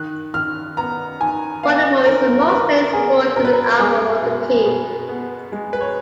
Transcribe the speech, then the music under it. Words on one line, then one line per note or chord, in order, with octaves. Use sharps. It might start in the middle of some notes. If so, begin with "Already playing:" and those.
Volleyball is the most played sport within Ahwatukee.
Already playing: D#3 F#6
D#3 F6
B3 A#5
D#3 G#5
B3 F5
D#3 A#4
A#4
D#3 B4
A#4
B3 G#4
B2 A#4
B4
A#4
G#3 G#4
B2
B2
B3
G#3
B4
C#5